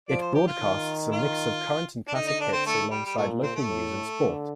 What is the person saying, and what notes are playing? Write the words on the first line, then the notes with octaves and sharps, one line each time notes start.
It broadcasts a mix of current and classic hits alongside local news and sport.
F3 D5
C5
G4
F4
D#3
F4
D4
D3 D#4
D#4
D4
C4
A3
G3
G3
A#2 A3
C4
A3
A2
D3